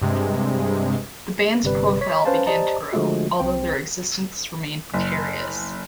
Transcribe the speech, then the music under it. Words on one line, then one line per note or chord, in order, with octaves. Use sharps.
The band's profile began to grow, although their existence remained precarious.
G2 C3 G#3
G1 C3 G3 B4
C#5 B6
C#4 B4 C5 F5 A5
G4 C5 D5 D#5 A5 A#5
D3 F3 G#3 A3 F4 F#4
C2 C4 C5 G5
F#1